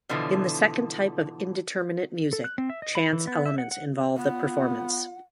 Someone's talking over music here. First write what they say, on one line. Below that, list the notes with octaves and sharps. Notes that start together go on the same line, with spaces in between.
In the second type of indeterminate music, chance elements involve the performance.
B2 D3 E3 F3
A4
F#6
C4
E5
D#5
B5
E3
B3
E5
F#5
F#5
B3 F4 F#5